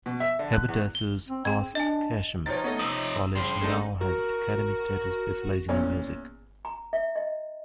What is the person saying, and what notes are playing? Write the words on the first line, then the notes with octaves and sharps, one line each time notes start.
Haberdashers' Aske's Hatcham College now has academy status specialising in music.
B2
E5
D3
F#6
E2
G7
C4
C4 G#4 G#6
D4 D#5 G#5
B2 F3 D#4 C#5 A6
A3 B3 C#5 D#5
C3 F3 D#6 E6
G2 C#3 F3 C6
F#2 G#3 A3 D4 D#4 A4
F#4 A#4
E2 A#2 C#4
A#5
E5
D#5